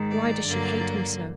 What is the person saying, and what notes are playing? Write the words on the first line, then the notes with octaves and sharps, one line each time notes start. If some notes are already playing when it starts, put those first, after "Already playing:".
Why does she hate me so?
Already playing: G#2 D#3 G#3
D5
G2 D3 F#3 A#3